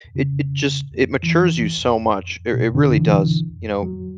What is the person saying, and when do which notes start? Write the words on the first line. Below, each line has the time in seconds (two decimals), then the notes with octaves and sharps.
it it just it matures you so much, it r it really does, you know,
0.15 C#3
1.23 E3
2.54 B2
2.75 D3
2.96 E3
3.83 F#3